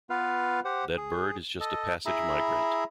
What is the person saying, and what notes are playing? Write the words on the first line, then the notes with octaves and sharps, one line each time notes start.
That bird is just a passage migrant.
B3 F4 B4 F5
G4 C5 F#5
G#4
A4 D#5
E4 G#4 E5 A#5 B5